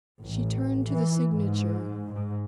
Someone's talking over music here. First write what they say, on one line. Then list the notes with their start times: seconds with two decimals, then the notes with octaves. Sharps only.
She turned to the signature.
0.25 A1
0.92 E3
1.32 G#2
2.13 G#2